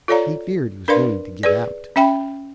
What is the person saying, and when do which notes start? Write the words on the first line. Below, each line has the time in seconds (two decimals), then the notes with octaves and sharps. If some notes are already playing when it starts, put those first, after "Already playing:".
He feared he was going to give out.
0.08 F4 A4 C#5 D5 F5 A#5
0.88 D4 A#4 B4 D5 F5 C6
1.43 G#4 B4 D5
1.96 C#4 E5 G5 B5